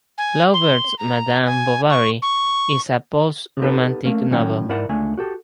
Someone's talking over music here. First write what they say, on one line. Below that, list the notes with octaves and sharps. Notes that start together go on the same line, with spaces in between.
Flaubert's "Madame Bovary" is a post-Romantic novel.
G#5
C6
A#5
G#5
C#6
C#6
B3 D#4 G4 A4 B4
A3 A#3 C#4
A2 D#3 F#3 C#4 F#5 G5
G#2 E4 A#4 D5 E5 F#5
C#2 D3 A3 G#5
F#4 G4 A4